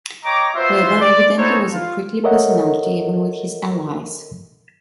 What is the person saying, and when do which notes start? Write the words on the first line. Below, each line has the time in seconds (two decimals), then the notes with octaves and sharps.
Weber evidently was a prickly personality even with his allies.
0.25 C#5 D#5 G5 A#5 D6
0.55 B3 F4 F#4 C5 E5 C6
1.01 D5
1.38 D#4 E4 F#4 A4 C5 C#5
1.72 F4
2.24 A4 A#4 C#5 D#5 E5 F#5